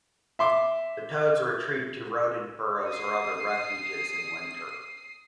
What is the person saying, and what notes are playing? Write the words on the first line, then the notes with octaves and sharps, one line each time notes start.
The toads retreat to rodent burrows or other refuges in winter.
E5 C6 D6
D#6 C7